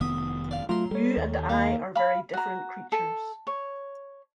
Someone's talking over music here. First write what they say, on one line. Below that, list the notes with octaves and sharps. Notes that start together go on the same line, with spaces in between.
You and I are very different creatures.
F1 D#3 B3 E5 D#6
D5 F5
F#3 A3 F4 A#5 C6
G3 A4 C#5
D#2
A#3 A#4
F5 B5
F#4 A#5
A4
C#5